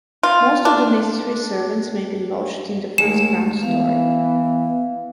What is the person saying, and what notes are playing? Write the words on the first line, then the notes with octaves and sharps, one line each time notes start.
Most of the necessary servants may be lodged in the first ground story.
F4
D4
D#2 G#3 A3 E7
E3 B3 F5